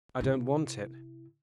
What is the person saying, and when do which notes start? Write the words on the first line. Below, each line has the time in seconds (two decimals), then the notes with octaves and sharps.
I don't want it.
0.21 C3 E4